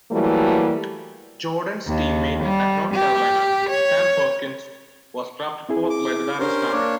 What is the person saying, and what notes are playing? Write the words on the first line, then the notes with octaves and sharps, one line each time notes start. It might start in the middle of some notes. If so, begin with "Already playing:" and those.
Jordan's teammate at North Carolina, Sam Perkins, was drafted fourth by the Dallas Mavericks.
E3 F#3 G3 A3 A#3
D#2
G3
G4
C#5
C4 E4 G#4
D6
C#4 D4 G4 A#4 C5
A#3 D4 C#5 D6